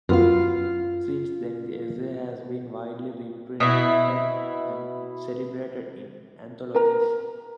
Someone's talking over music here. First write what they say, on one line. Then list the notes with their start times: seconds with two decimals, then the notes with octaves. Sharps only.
Since then the essay has been widely reprinted and celebrated in anthologies.
0.09 F#2 B3 F4 F5
3.60 B2 E4
6.75 A#4 B4 A#5